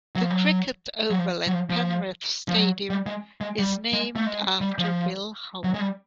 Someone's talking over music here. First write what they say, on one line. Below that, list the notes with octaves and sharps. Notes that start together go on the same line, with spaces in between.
The Cricket oval at Penrith Stadium is named after Bill Howell.
F#3
F3
F#3
F#3
F3
F#3
F3
F3
F3
F#3
G3
G#3
G#3
G3
G#3
A3
G#3
G3
F3
F#3
G#3
G3